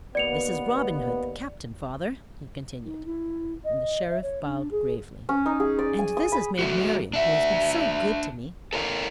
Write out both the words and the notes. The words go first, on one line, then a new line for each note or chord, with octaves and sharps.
"This is Robin Hood, the captain, father," he continued, and the Sheriff bowed gravely; "and this is Maid Marian, who has been so good to me."
D#2 B3 D5 C#7 F7
D#4
E4
D#5
E5
C#5
D4
G#4
C#4
D#4
G#4
D5
G#5
D#6
B5
F#3 A3 F#4
D4 E5
A4 A#4 C#5 F5